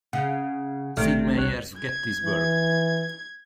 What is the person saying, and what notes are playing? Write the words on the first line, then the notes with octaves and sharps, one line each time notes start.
Sid Meier's Gettysburg!
C#3 F#5
G#1 C3 A3 D4 F6
C2 C#5 F#6
G#6
E3